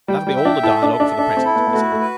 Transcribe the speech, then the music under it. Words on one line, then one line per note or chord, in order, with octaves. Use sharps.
"That'll be all the dialogue for the present," he said.
G3 G5
G3
E5
D4
E4 A4
D4
E5
D4
D4 A4
C4
E4
B3
B3
A3 F#4
A3
B4